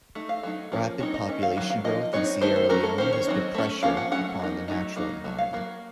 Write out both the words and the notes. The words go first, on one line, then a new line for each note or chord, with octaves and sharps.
Rapid population growth in Sierra Leone has put pressure upon the natural environment.
A3 D#4
F5
F#3 A3 D#4
F3 A#3 C#4
F#3 C4 D#4 C#5
D#5
D#3 A3 C#4
F5
D#3 F#3
F5
F3 A#3 D#4 D#5
F#3 C4 D#4 C#5
D#3 A3 D#4 C5
C5
F#3 A3 C#4 A#4
A4
D#3 A#3 C#4 C5
C#5
F#3 C4 D#4
A3 C#4
F3 A#3 C#4 F5
F#5
F#3 A3 C#4 F#5
F#3 A#3 D#4
F#3 A3 D#4
F#3 A#3 D#4
F#3 A3
F5
F#3 A#3